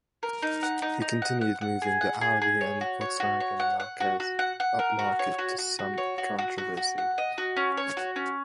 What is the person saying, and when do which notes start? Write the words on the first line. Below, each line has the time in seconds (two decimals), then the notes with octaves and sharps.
He continued moving the Audi and Volkswagen marques upmarket to some controversy.
0.23 A#4
0.42 D#4
0.63 F#5
0.82 D#4
1.02 D#4
1.22 F#5
1.41 F#5
1.61 F#5
1.82 G#4
2.01 F#5
2.21 G#4
2.42 G#4
2.61 C#5
2.81 F#4
3.01 C#5
3.20 F#4
3.40 C#5
3.60 F#5
3.80 F#5
4.00 F#4
4.20 F#4
4.39 F#5
4.60 F#5
4.79 A#4
4.99 F#4
5.19 C#5
5.39 F#4
5.59 F#4
5.79 F#4
5.98 C#5
6.18 F#4
6.39 F#4
6.58 F#4
6.77 F#4
6.98 F#5
7.18 D#5
7.38 F#4
7.56 C#4
7.77 C#5
7.97 F#4
8.16 C#4